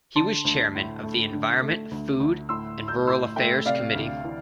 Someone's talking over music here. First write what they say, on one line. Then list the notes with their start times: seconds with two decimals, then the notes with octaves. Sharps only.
He was Chairman of the Environment, Food and Rural Affairs Committee.
0.16 D3 A5 C6
0.45 D2
0.75 A2
1.03 A3
1.32 D3
1.62 A3
1.91 D2
2.20 D2
2.49 A2 C6 E6
2.78 A2
2.88 E6 G6
3.07 A2 C6 E6
3.36 A3 E5 G5
3.66 C3 D5 F5
3.94 D2
4.24 E3